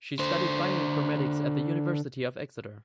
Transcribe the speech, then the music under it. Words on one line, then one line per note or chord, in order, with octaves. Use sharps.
She studied Bioinformatics at the University of Exeter.
D3 C5